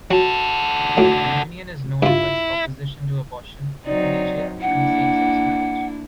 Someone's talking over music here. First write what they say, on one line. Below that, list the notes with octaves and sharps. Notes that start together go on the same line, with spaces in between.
The union is known for its opposition to abortion, euthanasia and same-sex marriage.
F#3 F#4 A4
A2 F#3
G2 E4 F4
F#3 C4 D#4 D5
A#3 D4 E4 F#5